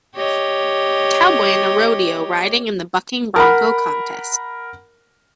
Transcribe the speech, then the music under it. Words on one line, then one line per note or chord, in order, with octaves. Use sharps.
A cowboy in a rodeo riding in the Bucking Bronco contest.
G4 C#5 D#5
A#4 F#5 B5